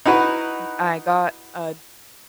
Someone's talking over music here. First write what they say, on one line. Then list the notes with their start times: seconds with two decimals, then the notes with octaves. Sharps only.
M I got a
0.06 D#4 E4 F#4 B4